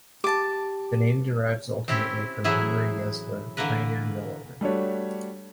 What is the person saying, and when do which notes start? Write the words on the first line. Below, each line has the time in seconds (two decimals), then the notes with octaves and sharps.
The name derives ultimately from Henry Yesler, pioneer mill owner.
0.24 G4 A5 D6
1.88 C4 C#4 E4 G4
2.44 A2 E3 F#3 E4 G#4 E5
3.57 D3 E3 A#3 A#4 B4
4.61 G3 A3 D4 F#4 C#5